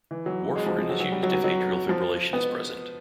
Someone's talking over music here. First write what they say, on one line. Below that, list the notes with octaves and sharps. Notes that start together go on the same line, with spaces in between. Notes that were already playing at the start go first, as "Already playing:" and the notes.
Warfarin is used if atrial fibrillation is present.
E3
F#3
G#3
F3
F3
F#3
F#3
G3
F#3
F#3
F#3
F3
B3